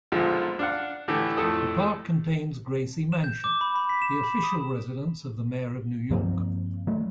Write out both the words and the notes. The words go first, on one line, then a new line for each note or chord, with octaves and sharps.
The park contains Gracie Mansion, the official residence of the Mayor of New York.
B1 A#2 D3 F3 G#3
D4 F5 F#5
A2 D3 E3 A3 G4
F2 A2 A3 A4 D#6
E7
G6
D6
B5
B5
B6
E7
B5
D#6
G2 F3 A#3 C4
F#3 A3